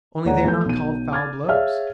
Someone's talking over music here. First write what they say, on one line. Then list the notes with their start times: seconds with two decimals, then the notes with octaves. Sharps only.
Only they are not called foul blows.
0.25 D#1 A#2 G#3 C#5 F#5 A#5
0.44 E3 F3 A3 E4 G6
0.66 B1 D#7
1.12 D6 F6 G#6 A6
1.48 G#4 C#5 E5 F5 F6